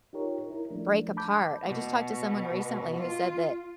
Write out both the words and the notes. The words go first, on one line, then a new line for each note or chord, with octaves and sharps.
break apart. I just talked to someone recently who said that
D#4 F4 G4 A#4 C#5
E4 A#4
F3 A3 D4
A5 B5 D6 G6
B2
F4